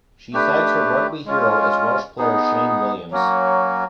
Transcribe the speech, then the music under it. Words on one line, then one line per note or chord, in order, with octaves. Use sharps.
She cites her rugby hero as Welsh player Shane Williams.
A3 D4 G4 B4
G#3 C#4 F4
B3 D#4 G#4
F#3 A#3 C#4 F#4